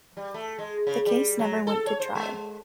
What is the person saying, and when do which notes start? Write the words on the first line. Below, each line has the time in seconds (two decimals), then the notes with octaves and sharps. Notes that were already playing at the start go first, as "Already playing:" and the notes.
The case never went to trial.
0.17 G3
0.34 A3
0.59 G#3
0.87 C#3
1.06 G3
1.39 F#3
1.67 A4
1.87 C#5
2.00 C5
2.15 G#3